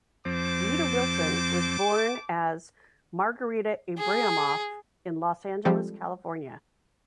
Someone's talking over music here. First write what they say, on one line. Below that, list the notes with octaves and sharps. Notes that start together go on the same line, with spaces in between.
Rita Wilson was born as Margarita Ibrahimoff in Los Angeles, California.
F2 C4 C5 A5 D6
G#4
F3 G3 G#3 C4 G4 A4